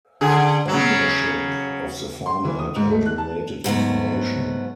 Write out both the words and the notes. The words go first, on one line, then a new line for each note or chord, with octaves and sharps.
Ownership of the format and related information.
D3 G#4
C#3 F#3
C6
E3
D#6
G#2
A3
F#6
A5
G#2 F#3 A3 B3